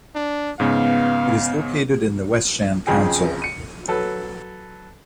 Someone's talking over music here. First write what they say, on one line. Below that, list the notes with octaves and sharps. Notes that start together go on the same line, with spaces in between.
It is located in the West sham Council.
D4
G#2 C#3 B3 F5
B1 F2 C#3 F3 G#4 G5
C#7 D#7
F#3 A4 B4